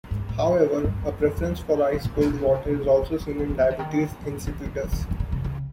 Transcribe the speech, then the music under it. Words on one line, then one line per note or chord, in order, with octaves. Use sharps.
However, a preference for ice-cold water is also seen in diabetes insipidus.
G#2
A2
G2
F#2
F2
E2
A2
A2
B2
B2
C#3
C3
C#3
D3
E3
D#3
D#3
D#3
D3
D#3
D#3
D#3
E3
D#3
D#3
D3
C#3
C#3